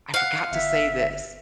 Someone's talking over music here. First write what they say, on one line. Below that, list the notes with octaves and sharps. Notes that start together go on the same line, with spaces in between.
I forgot to say this'"
F5 F#5
G1 E5